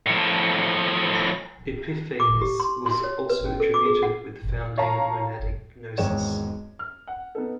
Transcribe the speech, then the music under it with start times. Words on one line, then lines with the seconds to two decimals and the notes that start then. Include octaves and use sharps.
Epiphanes was also attributed with founding Monadic Gnosis.
0.06 A2 F3
2.20 D6
2.42 G4
2.60 C6
2.86 C6
3.04 C#5
3.30 B4
3.46 C#4
3.60 A4
3.74 D6
3.86 G#4
4.03 F#5
4.78 C#5 F5 A5 A#5
5.97 G#1 E2 G#2 C#5 G5 E7
6.79 F6
7.07 F#5
7.35 B3 D#4 A4